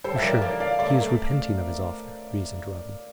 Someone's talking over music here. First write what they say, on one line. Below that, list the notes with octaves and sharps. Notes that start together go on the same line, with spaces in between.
"For sure, he is repenting of his offer," reasoned Robin.
G3 A4 C5
E5
F3 A#4 D5
E3 A#4 D5
D5 F5
A3 D5 F5
A#3
A3